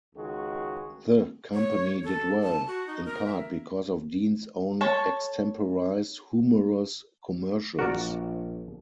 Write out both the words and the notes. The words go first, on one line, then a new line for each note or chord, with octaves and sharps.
The company did well, in part because of Dean's own extemporized, humorous commercials.
C#2 D#3 G#3 F#4 G#4
C#5
A4
A5
F#4
D#4
A#4
E5
A4 C#5 A5
A#1 F#4 A#4 D5